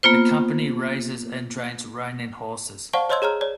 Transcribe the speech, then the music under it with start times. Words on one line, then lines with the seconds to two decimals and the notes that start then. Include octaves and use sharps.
The company raises and trains reining horses.
0.03 A#3 B3 F4 C5
2.93 C5 D5 F5 F#5 A5 C#6
3.10 C5 C#5 D#5 C6 E6 G#6
3.22 G#4 C#5 A#5 F6
3.41 C#5 D5